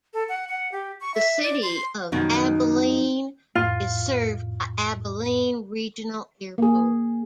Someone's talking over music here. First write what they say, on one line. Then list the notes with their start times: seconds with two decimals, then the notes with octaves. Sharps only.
The city of Abilene is served by Abilene Regional Airport.
0.14 A4
0.29 F#5
0.49 F#5
0.72 G4
1.01 C#6
1.14 E5
1.43 D5
1.63 C6
2.12 F#2 B2 D#3 F3 G3 D#4 A5
3.55 F2 A2 F4
6.58 A#3 G#4